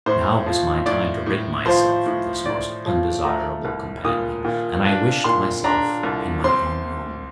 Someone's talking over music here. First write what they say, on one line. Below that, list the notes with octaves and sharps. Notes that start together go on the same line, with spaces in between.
Now was my time to rid myself of this most undesirable companion, and I wished myself in my own room.
A2 C5
F3
A2 D5
A2
F3 C5
A2
A2 D5
F3
A3 A#5
C2
A#2 D#6
A#2
D4
A#2 C6
D4 A#5
C2
C4 C6